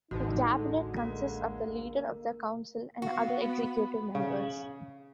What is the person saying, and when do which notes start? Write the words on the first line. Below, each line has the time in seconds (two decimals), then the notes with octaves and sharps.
The Cabinet consists of the Leader of the Council and other Executive Members.
0.11 A1 D2 D3 G#3 D#4 F#4
0.94 A3 A#3 A#4
3.02 B3 F#4 F5
3.41 B5
4.15 C#3